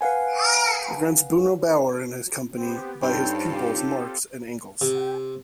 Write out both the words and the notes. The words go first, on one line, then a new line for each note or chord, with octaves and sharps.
Against Bruno Bauer and Company by his pupils, Marx and Engels.
B4 F5 F#5 G#5
B3 C4 G4
G2 C4 D#4 F4 A4 C#5 G5 A5
G4
C3